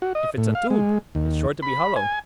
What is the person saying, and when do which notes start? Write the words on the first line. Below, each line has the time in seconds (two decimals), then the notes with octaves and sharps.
"If it's a tube, it's sure to be hollow."
0.02 F#4
0.15 D#5
0.37 A2
0.55 F5
0.70 G#3
1.15 D#2
1.62 B5
1.96 G#5